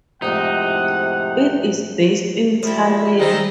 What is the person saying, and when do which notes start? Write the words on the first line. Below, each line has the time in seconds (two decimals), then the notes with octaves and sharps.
It is based in Tallinn.
0.22 F2 A2 C3 G#3 D#4 F#5
2.63 F3 G3 E4
3.19 D#3 C4 D#5